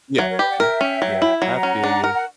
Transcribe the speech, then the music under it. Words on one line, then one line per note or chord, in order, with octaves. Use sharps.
Yeah, yeah, yeah, I feel you.
F#3 C#5 E5
A#4 C#5
G4 B4 D5
D5 F#5
A#4 E5 G5
C#4
F#3
E4
F#3 F#5 A#5
C#4
D4
A#4
F#5